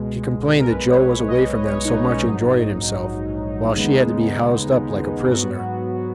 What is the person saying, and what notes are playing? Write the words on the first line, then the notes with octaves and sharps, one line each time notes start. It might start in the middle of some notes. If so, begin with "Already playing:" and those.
She complained that Joe was away from them so much enjoying himself, while she had to be housed up like a prisoner.
Already playing: C#2 B2 G#3
A#4
B1 B2 G#3 B4
C#5
D#5
D#5
C#5
D#4
C#4
A#1 G#2 F#3 D#4
D#2 C#3 G#3 B3
G#2 F#3 B3 F#4